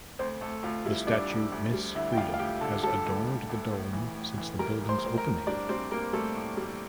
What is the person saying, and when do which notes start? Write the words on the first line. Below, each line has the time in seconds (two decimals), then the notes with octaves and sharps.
The statue "Miss Freedom" has adorned the dome since the building's opening.
0.19 D2 C4 C5
0.41 D2 A3 A4
0.63 D2 F4
0.85 G3 E4
1.07 G3 D4 D5
1.30 D2
1.52 D2
1.74 G3
1.95 D3 E4 E5
2.12 G5
2.17 D2 F4 F5
2.34 F5
2.39 D2 G4 G5
2.61 D3 A4 A5
2.83 G3 A4 A5
3.05 D2
3.28 D2
3.49 D2
3.71 A2
3.93 E3
4.16 A2
4.38 E3
4.59 G3 A#4 A#5
4.81 A2
4.89 C5 C6
5.03 A2
5.18 A#4 A#5
5.25 A2
5.47 G3 D4 D5
5.69 G3 C4 C5
5.91 G3 A#3 A#4
6.13 G3 A3 A4
6.35 A2
6.57 G3